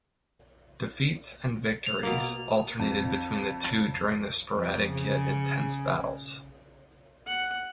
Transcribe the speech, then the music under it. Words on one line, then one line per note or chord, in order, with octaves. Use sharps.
Defeats and victories alternated between the two during the sporadic-yet-intense battles.
F7
B2 A#3
F2
F2
C#3
F#5